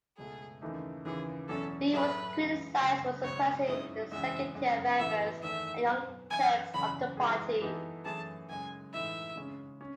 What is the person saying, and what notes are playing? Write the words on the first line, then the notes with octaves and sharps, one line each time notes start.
Lee was criticized for suppressing the second-tier members and "Young Turks" of the party.
C#2 B2 A3 G#4
D#2 C#3 E3 A3 D#4
D#2 C#3 E3 G#4
E2 B2 F#3 C#4 E4 A4
A2 F#3 A3 E4 G#4 B4
C#2 C#3 E3
C#2 C#3 F#3
C#2 B2 F#3 C#5
G#2 F#3 C#4 E4 G#4 D#5
E2 C#3 G#3 E5
F#2 C#3 G#3
A2 E3 B3 E4 E5
E2 D#3 A3 D#4 E5
B2 F#3 B3
F#2 E3 B3 E4 G#5
E2 C#3 F#3 B5
E3 G#3 D#4 G#4
E3 B3 D#4 A4
F#2 E3 A3 E4 G#4 A5
F#2 C#3 G#3 G#5
A2 E3 G#3 D#4 E5
C#3 G#3 C#4
C#4